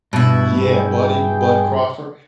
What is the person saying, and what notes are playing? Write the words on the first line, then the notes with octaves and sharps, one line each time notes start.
Yeah, Buddy Bud Crawford.
G2 B2 E4
G#4 G5